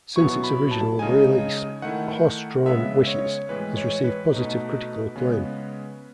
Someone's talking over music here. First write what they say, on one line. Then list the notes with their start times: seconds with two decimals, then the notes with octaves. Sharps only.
Since its original release, "Horsedrawn Wishes" has received positive critical acclaim.
0.16 B2 F#3 B3 E4 C#6
0.44 B5
0.71 A5
0.99 C#3 G#3 D#4 G#5
1.82 D#3 A3 E4 F#5
2.66 C#3 G#3 B3 E5
3.07 C#5
3.49 A2 E3 G#3 B4
3.77 C#5
4.04 B4
4.32 B2 A3 D#4
5.16 C#3 G#3 B3